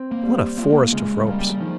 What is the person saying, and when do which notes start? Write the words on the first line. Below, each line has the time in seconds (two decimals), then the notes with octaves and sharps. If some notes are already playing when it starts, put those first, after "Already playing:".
What a forest of ropes!
Already playing: C4
0.12 A#3
0.23 G3
0.58 A#3 F4
0.65 G#3
0.72 A#3
0.92 C#3 G#3
1.26 G3 A#3
1.51 G3
1.61 D#3 F3